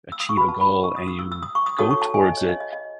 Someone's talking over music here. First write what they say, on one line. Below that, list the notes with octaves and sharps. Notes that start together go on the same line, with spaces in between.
achieve a goal, and you go towards it,
E6
D#6
C#6
F#4 B4 B5
A5
B5
B5
C#6
D#6
D#6
E6
E6
D#6
C#6
D#6
D#4 F#4 A4 C#5 D#6
C#6
A5
G#5
D#5
C#5
D#5
D#5
D#5